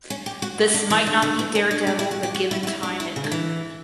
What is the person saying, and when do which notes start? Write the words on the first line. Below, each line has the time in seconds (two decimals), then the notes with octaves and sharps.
This might not be "Daredevil" but given time it could be.
0.10 C#4
0.26 G4
0.42 F#4
0.74 D4
0.90 E3
1.07 D3
1.22 D3
1.39 E3
1.55 C#4
1.71 D4
1.87 D4
1.99 E4
2.11 F#4
2.23 G4
2.34 F#4
2.51 E4
2.63 F#4
2.67 E4
2.83 D4
3.00 E4
3.16 C#3
3.24 D3
3.32 E3